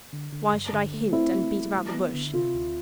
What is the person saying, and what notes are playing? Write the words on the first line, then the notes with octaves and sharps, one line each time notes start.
Why should I hint, and beat about the bush?
D3
D3
G2
D3
A3
C4 E4
A3
A3
G3
B3
D3
C3 F4
D2